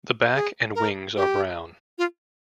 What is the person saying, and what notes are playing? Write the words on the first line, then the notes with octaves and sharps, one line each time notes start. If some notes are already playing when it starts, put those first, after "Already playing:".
The back and wings are brown.
G#4
A#4
G4
F4